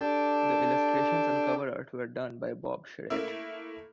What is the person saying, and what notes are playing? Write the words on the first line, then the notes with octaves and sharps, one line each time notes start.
The illustrations and cover art were done by Bob Charrette.
D4 G4 A4
A3 A#3 E4